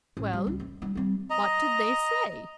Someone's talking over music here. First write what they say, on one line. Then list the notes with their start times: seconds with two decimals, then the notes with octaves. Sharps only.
"Well, what did they say?"
0.17 A1
0.33 G3
0.47 C#2
0.60 F#2
0.82 G3 D#4
0.95 G3 C4
1.30 D#5 A#5